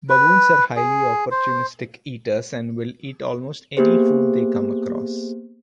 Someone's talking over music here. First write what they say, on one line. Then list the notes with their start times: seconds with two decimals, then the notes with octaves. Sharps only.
Baboons are highly opportunistic eaters and will eat almost any food they come across.
0.09 B4
0.76 G#4
1.31 C5
3.77 A#3 B3 G4 G#4 C5